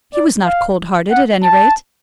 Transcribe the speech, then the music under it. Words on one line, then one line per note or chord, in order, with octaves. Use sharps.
He was not cold-hearted, at any rate.
D5
F5
F#5
A5